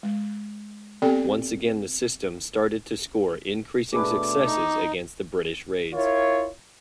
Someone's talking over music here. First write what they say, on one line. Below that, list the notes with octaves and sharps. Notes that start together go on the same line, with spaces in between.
Once again the system started to score increasing successes against the British raids.
G#3
B3 C4 G4 A4 D5 G5
B2 A3 D4 G#4 B4 D6
D#4
E4 F4 A#4 C#5